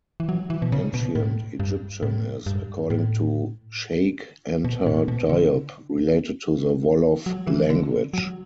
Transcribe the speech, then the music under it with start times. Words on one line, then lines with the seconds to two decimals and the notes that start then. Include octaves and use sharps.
Ancient Egyptian is, according to Cheikh Anta Diop, related to the Wolof language.
0.20 E3
0.29 F#3
0.50 E3
0.62 B2
0.72 C#3
0.94 B2
1.15 A2
1.60 G2
2.02 A2
2.46 G2
2.90 A2
4.64 B2
4.86 A2
5.08 B2
5.30 D3
7.26 F#3
7.47 E3
7.70 D3
8.13 F#3